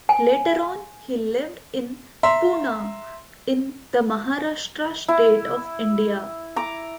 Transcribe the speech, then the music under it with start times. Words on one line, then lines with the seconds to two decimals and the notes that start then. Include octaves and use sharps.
Later on he lived in Poona in the Maharashtra state of India.
0.09 G#5
2.23 E5 A#5 C6
5.08 E4
6.56 A#5 D6